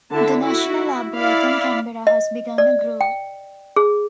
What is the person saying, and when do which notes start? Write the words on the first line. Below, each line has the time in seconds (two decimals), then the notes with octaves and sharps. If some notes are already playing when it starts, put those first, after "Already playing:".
The National Arboretum Canberra has begun a grove.
0.12 D3 E4 A5
0.41 E4 F#4
1.16 E4 D5 F5 B5
2.07 D#5
2.58 D5
3.01 G5
3.76 G#4